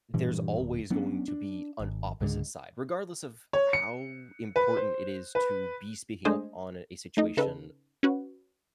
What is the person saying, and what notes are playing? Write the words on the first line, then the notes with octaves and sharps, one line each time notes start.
there's always going to be an opposite side, regardless of how important it is to be speaking up on a situation
G2 A#2 E3
D1
F#3 B3 C#4 D4
D4
G#1
C#2 G#2 D3 G#3
C#5
C#7
B4
C5
B4
G#3 A3 D4 C5 D#5 G#5
A3 D#4 D#5
C#3 D#4 A4 B4
C#4 F#4 B4